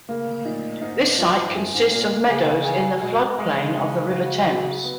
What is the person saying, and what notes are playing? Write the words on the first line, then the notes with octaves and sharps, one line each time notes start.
This site consists of meadows in the floodplain of the River Thames.
C#3 A#3
A#2 D#4
G#2 D#4
F3
G#2
F#2 G#4
G#2
A#2 A#3
C#3 G#4
G#4
B2 G#3
G#3
C#3
G#3
F#4
F#3
B3